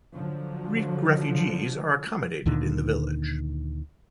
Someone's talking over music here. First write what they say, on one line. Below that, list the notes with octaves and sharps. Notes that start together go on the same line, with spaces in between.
Greek refugees are accommodated in the village.
D3 F3 F#3
D2 A#2 D3 D#3